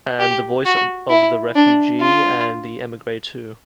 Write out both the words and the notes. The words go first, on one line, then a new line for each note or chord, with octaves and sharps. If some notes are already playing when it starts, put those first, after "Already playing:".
And the voice of the refugee and the emigre, too.
G4
F#4
E4
D4
F4